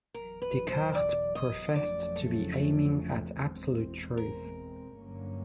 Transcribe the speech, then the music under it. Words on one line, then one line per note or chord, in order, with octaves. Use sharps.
Descartes professed to be aiming at absolute Truth.
E2 B2 F#3 A#4
B4
C5
D5
D#5
F2 C#3 F#3 A3 C#4 D5
A4
E2 B2 G#3 C4
A#4
G2 D3 F#3 A#3 C#4